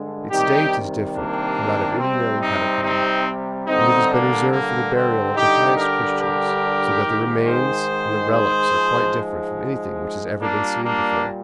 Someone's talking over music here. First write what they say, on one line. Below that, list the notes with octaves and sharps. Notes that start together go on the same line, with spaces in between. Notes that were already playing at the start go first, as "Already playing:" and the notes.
Its date is different from that of any known catacomb, and it has been reserved for the burial of the highest Christians, so that the remains and the relics are quite different from anything which has ever been seen before.
Already playing: G2 D3 G#3
C3 D#3 G3 D#4 G4
A#3 D4
C3 G3 C4
C4 D#4
C4 D#4
G2 D3 G3 C4 D#4
A#3 D4
A#3
C4
G2 D3 G3 D#4 G4
G4 A#4
G4 A#4
G#2 D#3 G#3
G#4 C5
G#4 C5
G#2 F3 G#3
A#2 G3 A#3 D4
A#3 D4